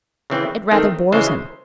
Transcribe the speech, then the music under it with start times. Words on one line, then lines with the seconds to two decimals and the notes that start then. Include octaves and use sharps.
It rather bores him.
0.30 C#3 E3 C4
0.71 D#3 A3 C4
1.12 C#3 E3 G#3 C5